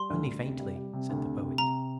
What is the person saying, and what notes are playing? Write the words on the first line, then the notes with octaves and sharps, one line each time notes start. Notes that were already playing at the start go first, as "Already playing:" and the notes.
"Only faintly," said the Poet.
Already playing: G3 C6
D2
D2
C3
G3
G3
C3
D2
C3
C3
C3 A#5